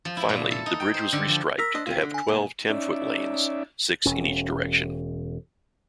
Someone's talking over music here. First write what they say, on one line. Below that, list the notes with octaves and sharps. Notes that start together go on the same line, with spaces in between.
Finally, the bridge was restriped to have twelve ten-foot lanes, six in each direction.
F3
E4
A#2
A4
D#4
G5
C5
D3
F3
A#4 E6 A#6 B6
D4 C5 D#5
C4 F4
D3
G#5
C2 A#2
C#4 D#4 D5 E5
E1 C#4